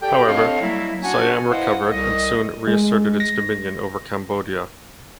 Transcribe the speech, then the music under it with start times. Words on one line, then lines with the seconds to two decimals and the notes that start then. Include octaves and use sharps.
However, Siam recovered and soon reasserted its dominion over Cambodia.
0.02 G4 A4 D5 G5
0.27 C4 D4 A4 C#5 D#5 F5
0.61 F#3 G3 A#3 E4
1.03 C#4 D4 F#4 F#5 G#5
1.50 E4 B4 C5 D#5 F5 F#5
1.89 C2 D#5
2.67 G#3
3.20 A#6